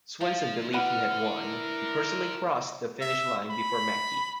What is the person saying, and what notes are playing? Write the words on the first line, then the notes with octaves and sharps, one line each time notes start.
Swenson believed he had won-he personally crossed the finish line before Mackey.
F3 E4 F5
D3 B4 F#5 B5 F6
A#4
E5
B5